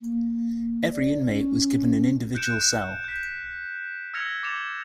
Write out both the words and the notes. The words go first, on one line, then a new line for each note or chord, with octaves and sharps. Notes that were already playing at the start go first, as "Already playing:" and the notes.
Every inmate was given an individual cell.
A#3
D5
C#4
F#6 G6 C#7 D7 E7
G6 B6
E6 F6 G#6 A#6 C#7 F7
D6 A6 C#7 E7 F7